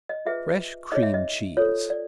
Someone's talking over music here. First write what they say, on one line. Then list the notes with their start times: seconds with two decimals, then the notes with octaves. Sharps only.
Fresh cream cheese.
0.09 D#5
0.25 F4 G#4 B4 E5
0.92 D#4 G#4 C#5 D#5
1.03 E5
1.14 D#5
1.57 F4 A4 C5 C#5
1.90 D5